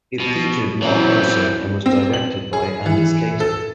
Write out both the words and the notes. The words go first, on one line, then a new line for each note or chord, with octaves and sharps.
It featured Mark Nelson, and was directed by Anders Cato.
B2
E3 F#3 C4 C#4 E4
C4
F#7
G#4
E3
A4